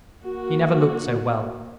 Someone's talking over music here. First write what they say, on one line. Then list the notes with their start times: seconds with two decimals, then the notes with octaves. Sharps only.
He never looked so well.
0.20 A#3 F#4